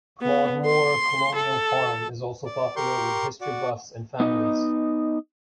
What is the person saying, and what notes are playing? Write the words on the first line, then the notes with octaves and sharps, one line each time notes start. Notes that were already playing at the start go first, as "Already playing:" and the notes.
Claude Moore Colonial Farm is also popular with history buffs and families.
B3
C6
A4
D5
G4 A#4 C6 C#6 G6
F#4 D5
B3 D#4 D#5